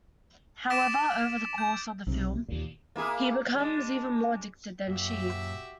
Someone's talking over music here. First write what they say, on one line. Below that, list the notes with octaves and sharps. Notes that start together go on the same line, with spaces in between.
However, over the course of the film he becomes even more addicted than she.
D6 D#6 A6 B6 D7 E7
G6
B1 C3
D#2 A#2
A#3 E4 G#4
G#3 D4
F#2 A#2 F#4 G4 E5